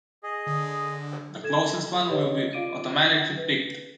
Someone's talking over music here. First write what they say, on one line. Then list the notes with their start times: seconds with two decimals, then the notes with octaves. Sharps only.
The closest one will be automatically picked.
0.23 G#4 D#5
0.47 D3
1.43 A4 G#6 E7
2.09 G4 B4 C#5 D#5
2.53 F4 D5 F5 D6 D7 D#7
3.37 B4